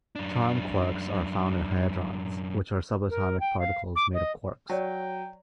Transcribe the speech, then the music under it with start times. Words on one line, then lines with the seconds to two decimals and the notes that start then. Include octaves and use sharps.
Charm quarks are found in hadrons, which are subatomic particles made of quarks.
0.16 F#2 D4
3.10 A#4
3.40 G5
3.59 F5
3.96 D6
4.14 D#5
4.69 F#3 C#5 D5 G5 C#6